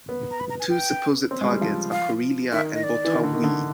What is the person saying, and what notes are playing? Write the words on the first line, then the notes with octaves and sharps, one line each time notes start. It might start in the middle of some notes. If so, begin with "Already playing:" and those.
Two supposed targets are Corellia and Bothawui.
B3
A#5
B5
A#5
G#5
G5
C4
G#3
G3
F3
F5
D#3 E5
D#5
D5
E3
D#3
D3
D#3
D3